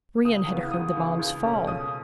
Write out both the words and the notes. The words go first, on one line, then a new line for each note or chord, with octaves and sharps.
Brion had heard the bombs fall.
C#2 D#6
C#3 E3 B3
C#2 D#6
C#3 E3 B3
C#2
B2 A3 C#4
C#2 D#6